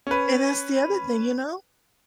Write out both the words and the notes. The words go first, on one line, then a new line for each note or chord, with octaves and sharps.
And that's the other thing, you know?
C#4 B4